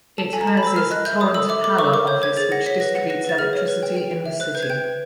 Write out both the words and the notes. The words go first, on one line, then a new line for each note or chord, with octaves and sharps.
It houses Torrent Power office which distributes electricity in the city.
A4 A5
A4 G#5
A#5
D#5 A5
B5
C5 E6
A#4 F6
D#5 F#6
E5 G6
C5 D#6
A4 E6
E5 D6
A4 D6
C5 C#6
A#4 D6
C#5 G6
C5 G#6
G#4 A6
F#5 A#6
C#5 B6
B4 A#6
F#5
B4 A#6
B4 A6
G#4 F6
C#5
B4
G5
G5
G5
E5
C5 F#6
B4 G6
G#6
G5 G6
B4